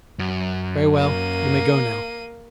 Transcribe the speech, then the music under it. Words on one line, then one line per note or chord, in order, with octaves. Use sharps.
"Very well, you may go now."
F#2
A#3 D#7